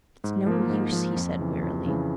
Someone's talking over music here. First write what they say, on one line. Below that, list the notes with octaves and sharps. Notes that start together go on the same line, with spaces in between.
"It's no use," he said wearily.
G#2
F3 A#3
G#2
F3 A#3
F2
C#3 E3
F2
C#3 E3